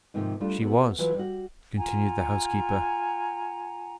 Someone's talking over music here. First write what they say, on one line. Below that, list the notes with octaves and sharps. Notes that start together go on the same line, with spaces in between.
'She was,' continued the housekeeper.
G#2 C3 D#3 F3 A#3
G3 A3 D4 F4
B3 C4 F#4
E3 F#3 F4 D5
G3 F#4
F4 F#5 G#5 A#5